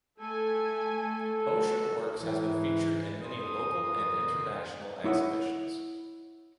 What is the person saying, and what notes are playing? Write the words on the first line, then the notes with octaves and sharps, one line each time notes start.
Oshun works has been featured in many local and international exhibitions.
A3 A4 G#5
F#4
G#2 E3
F2 E3 A#4 C5 C6 D#6
E4 C#5 D#5 F#5